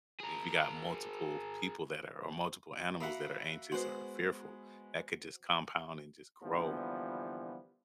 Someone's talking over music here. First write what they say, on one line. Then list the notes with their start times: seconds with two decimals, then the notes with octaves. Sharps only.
if you got multiple people that are or multiple animals that are anxious or fearful, that could just compound, and just grow
0.20 G#4 A#4
3.00 A#3 F#4 E5 F#5 B5
3.72 G#3 B3 F#4 C5
6.42 A#2 D3 E3 F3 G3 B3